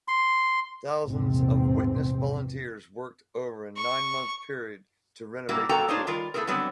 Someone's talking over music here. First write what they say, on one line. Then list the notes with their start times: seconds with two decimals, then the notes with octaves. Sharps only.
Thousands of Witness volunteers worked over a nine-month period to renovate the theater.
0.08 C6
1.03 A#1 E2 G#2 C3 C4
3.77 C#6
5.49 A#2 G3 A#3 E4 F#4
5.69 F2 A#3 F#4 A4 G5 A#5
5.88 A#3 D4 D#4 F4 C5 C#5
6.07 D#3 G3 F4 A#4
6.34 A3 B3 E4 G#4 A#4
6.47 D3 F#3 G3 B3 C4